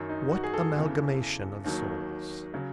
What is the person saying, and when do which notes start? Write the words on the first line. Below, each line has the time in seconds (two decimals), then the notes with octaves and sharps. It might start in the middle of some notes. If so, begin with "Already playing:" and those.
What amalgamation of souls!
Already playing: F#2 D#3 F#3
0.09 D#4
0.31 F#4
0.44 G#4
0.54 A4
0.76 E2 C#3 E3
1.64 D#2 D#3 F#3
2.54 C#3 F#3